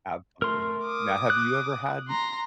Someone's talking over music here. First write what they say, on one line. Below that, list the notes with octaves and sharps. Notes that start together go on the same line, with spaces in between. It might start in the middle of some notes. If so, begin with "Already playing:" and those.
Absolutely. Now, have you ever had n
A3 A#4 C6
D6 D#6
F#6
A#5 C6